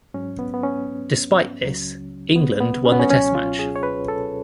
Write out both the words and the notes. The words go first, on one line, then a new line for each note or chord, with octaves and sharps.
Despite this England won the test match.
G#2 F#3 C#4
B3
B3
C#4
C#2 C#3 F#3
B3
B3
C#4
B3
C#4
C#2 B2 F#3 C#4
F4
G#4
C#5
B4
A4